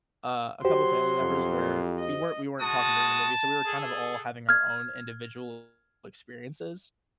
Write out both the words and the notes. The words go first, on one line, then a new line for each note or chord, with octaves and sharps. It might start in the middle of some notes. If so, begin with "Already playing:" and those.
uh, a couple family members where we weren't we weren't talking during the movie, so we were kind of all having our own individual experiences,
F#3 F#4 G4 C5 C6
F2
D#5
G#3 F#4 A5 D#6
G#4 A4
F6 G#6